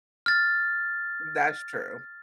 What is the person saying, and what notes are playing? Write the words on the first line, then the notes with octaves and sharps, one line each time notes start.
that's true.
F6 A6